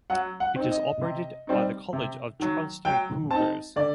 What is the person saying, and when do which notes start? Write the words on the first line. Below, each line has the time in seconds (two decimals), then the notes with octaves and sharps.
It is operated by the College of Charleston Cougars.
0.10 F#3 F#5
0.40 F#5
0.56 C4 D#4
0.71 D#5
1.01 C3
1.47 G3 C4 D#4
1.93 C3
2.40 D#3 F#3
2.85 F#3 G5
3.30 C4 D#4 A5
3.76 D3 D5